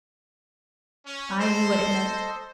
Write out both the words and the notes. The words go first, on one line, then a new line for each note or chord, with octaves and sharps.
I knew what it meant.
C#4
A4 C5 D#5